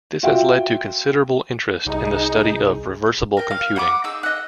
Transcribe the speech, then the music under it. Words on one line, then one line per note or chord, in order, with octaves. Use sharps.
This has led to considerable interest in the study of reversible computing.
F4 F#4 E5 G5
C2 D#4 G#4
A#4 G5
F5
F#5 B5 D6
D#4 G#4 E6
D#5 F#5